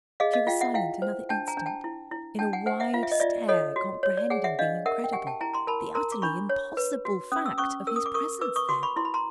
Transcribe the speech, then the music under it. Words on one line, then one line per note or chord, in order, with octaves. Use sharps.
She was silent another instant, in a wide stare comprehending the incredible, the utterly impossible fact of his presence there.
G#4 D#5 F5
D#5 F5
F4 F5 G5
E5 F#5
E4 F5 G5
C5
D4 G5 A5
G#5 A#5
D4
G5 A5
E4
E4
D4 G5 A5
F#5 G#5
C5 F#5 G#5
E5 F#5
F4 F5
E5
D#5
F4 D5 E5
A4 C#5 D#5
F#4
C#5
D5
G#4 F#5 G#5
E5 F#5
D4 D#5 F5
A#4 E5 F#5
G5
G4 F#5 G#5
G5 A5
E4 G#5 A#5
A#5 C6
A#4 A5 B5
A#4 A#5 C6
D6
D4 B5 C#6
C#5
B4
F#4
C#4 D#6
E6
C#4 C#6 D#6
A#4 E6
D#6
D6
A#4 C#6 D#6
B4 D6 E6
C#6 D#6
F#4 C6 D6
B5 C#6
E4 C6
B5
A#5 C6